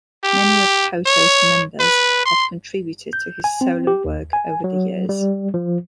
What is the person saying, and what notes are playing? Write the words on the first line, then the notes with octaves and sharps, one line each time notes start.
Many of Toto's members have contributed to his solo work over the years.
G4
C#5
B4
C6
G6
G#5
C4
G4
D#2
G#5
F#3
G3
F3